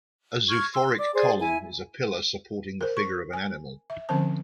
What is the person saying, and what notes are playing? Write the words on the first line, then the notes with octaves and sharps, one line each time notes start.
A zoophoric column is a pillar supporting the figure of an animal.
C#6 F6 G#6
C6 E6
D5 D6
G#4 C5 D5
E4 E5 G#5
A#4 C5
C#6
G#5
E5
D3 F3 C4 C#4 C5 A5